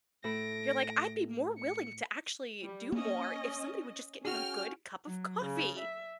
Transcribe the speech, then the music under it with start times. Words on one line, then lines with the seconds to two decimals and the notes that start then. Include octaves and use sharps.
You're like, "I'd be more willing to actually do more if somebody would just get me a good cup of coffee."
0.24 A2 A4 B5 A#6 D7
1.58 C#7
2.62 G3
2.92 A#3 C#4 D#5
4.25 C#4 F#4 G#4 G5 F6
5.05 F#3
5.43 C#3
5.79 E5